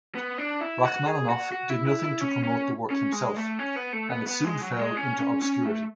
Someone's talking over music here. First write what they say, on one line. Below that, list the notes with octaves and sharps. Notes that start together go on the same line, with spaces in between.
Rachmaninoff did nothing to promote the work himself, and it soon fell into obscurity.
B3
D4
E4
F#4
G#4
F#4
F#4
E4
E4
E4
C#4
C#4
C#4
G#3
A3
C#4
B3
A3
B3
B3
G#3
F#3
G#3
C#4
C#4
C#4
A3